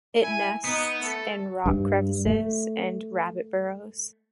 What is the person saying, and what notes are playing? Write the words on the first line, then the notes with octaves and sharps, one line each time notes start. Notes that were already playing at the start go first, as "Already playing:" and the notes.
It nests in rock crevices and rabbit burrows.
E4 G#5
B3 D#4
A3 A4
G2
A3